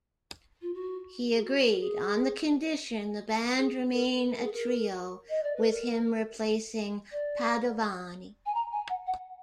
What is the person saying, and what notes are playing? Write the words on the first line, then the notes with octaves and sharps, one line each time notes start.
He agreed, on the condition the band remain a trio, with him replacing Padovani.
F4
F#4
G#4
F#4
A#4
G#4
G#4
A#4
B4
A#4
G#4
A#4
D#5
D5
B4
A#4
D5
G#5
A#5
G#5
F#5
F#5